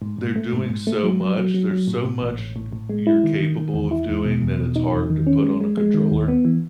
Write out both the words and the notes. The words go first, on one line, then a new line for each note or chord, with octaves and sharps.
They're doing so much. There's so much y you're capable of doing that it's hard to put on a controller
G#2
G#2
A3
G#2
G#2
A3
F#3
F#3
F#3
F#3
F#3
A2
A2
A1
A1
A2
A2
G#3
E4
D#3
D#3
D#3
E2
E4
E2
B2
E2
B2
D#4
E2
D#3
C#4
G#3
G#3
G#3
D#3
D#2
B3
E3